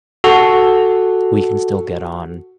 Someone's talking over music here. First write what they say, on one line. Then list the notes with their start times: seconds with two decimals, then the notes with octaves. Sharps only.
we can still get on
0.24 F#4 A4